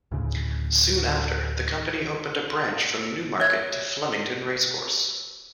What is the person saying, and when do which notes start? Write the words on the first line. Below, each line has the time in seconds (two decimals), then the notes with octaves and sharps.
Soon after, the company opened a branch from Newmarket to Flemington Racecourse.
0.12 D2 A2 C#3
3.40 C#5 E5 G#6